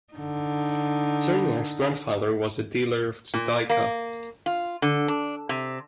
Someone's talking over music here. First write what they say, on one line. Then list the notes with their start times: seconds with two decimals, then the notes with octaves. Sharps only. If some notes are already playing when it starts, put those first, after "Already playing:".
Cherniack's grandfather was a dealer of Judaica.
0.13 D3 D#4
3.34 A#2
3.70 A#3
4.46 F4
4.82 D3
5.08 D4
5.49 C3